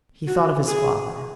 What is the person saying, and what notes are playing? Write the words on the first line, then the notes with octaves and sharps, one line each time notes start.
He thought of his father.
F#4
G#4